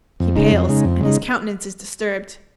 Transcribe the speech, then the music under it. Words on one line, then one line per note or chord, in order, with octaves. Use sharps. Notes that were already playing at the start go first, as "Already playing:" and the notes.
He pales, and his countenance is disturbed.
F2
C#3 G#3 D#4
F2
C#3 G#3 D#4
F2
C#3 G#3 D#4